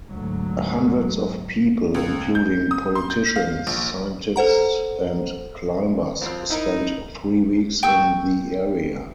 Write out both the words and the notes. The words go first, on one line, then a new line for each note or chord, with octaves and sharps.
Hundreds of people, including politicians, scientists and climbers, spent three weeks in the area.
D2 G#2 F#3
C#2
G6
D#6
C6
G6
F5
A#1
A4 C5 F#5 A#5
F2 C4 F4
D#4 E4 A#4
G5 C#6 E6 G6